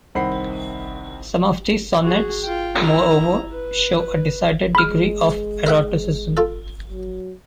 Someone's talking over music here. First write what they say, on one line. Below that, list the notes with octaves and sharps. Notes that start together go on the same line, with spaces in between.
Some of the sonnets, moreover, show a decided degree of eroticism.
C2 D#3 C4 F#5 B5 C7
F#4 G#4
F4 G5
E4 A#5
B4
G#3 B5 F6
A#4 E5 F#5
F4 A4
F#3